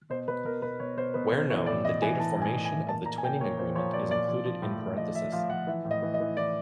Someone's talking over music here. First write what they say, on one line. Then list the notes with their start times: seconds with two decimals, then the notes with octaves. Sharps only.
Where known, the date of formation of the twinning agreement is included in parentheses.
0.10 B2 C5
0.28 B2 B4
0.44 B2 A#4
0.62 B2 B4
0.80 B2 C#5
0.97 B2 C5
1.14 B2 B4
1.32 B2 C5
1.50 E3 C#5
1.66 A2 D5
1.85 A2 D#5
2.02 E3 G#5
2.19 E3 A5
2.36 A2
2.42 G#5
2.53 E3
2.65 G#5
2.71 E3
2.88 A#2 A5
3.06 A#2 A#5
3.18 G#5
3.23 A#2 G5
3.41 A#2 C#5
3.58 A#2 C5
3.75 F3 C#5
3.93 A#2 D5
4.10 A#2 D5
4.28 F3
4.45 F3
4.62 A2
4.81 A2
4.97 F3 D#5
5.15 F3 E5
5.32 F3 F5
5.50 F3 F#5
5.67 E3 E5
5.85 A2
5.91 D#5
6.02 E3
6.14 D#5
6.20 E3
6.37 E3 D5